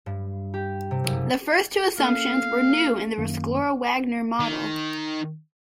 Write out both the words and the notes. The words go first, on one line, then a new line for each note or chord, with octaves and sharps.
The first two assumptions were new in the Rescorla-Wagner model.
G2
G4
C3
F#1
A#3 C#4 A4 F5
F#2 D#3 A#3
D#3